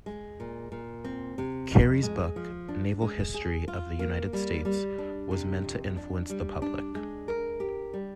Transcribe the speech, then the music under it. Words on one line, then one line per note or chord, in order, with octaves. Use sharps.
Carey’s book "Naval History of the United States," was meant to influence the public.
G#3
A#2
A#2
C4
C3
F2
G#3
F3
D4
G#3
G#4
F4
A#3
G3
G3
D4
C3
F2
D4
G3
D4
G#3
A#4
G4
G3